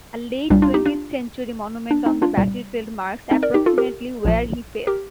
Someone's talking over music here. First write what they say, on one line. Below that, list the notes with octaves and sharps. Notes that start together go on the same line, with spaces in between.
A late twentieth century monument on the battlefield marks approximately where he fell.
C2 A#2 G3 D4
D4 F4
D#4 G4
D4 F4
D4
C4 D#4
D4 F4
C2 A#2 G3
C4 D#4
A#4 D5
D#4 G4
F4 A4
G4 A#4
A#1 A#2 F3
G4 A#4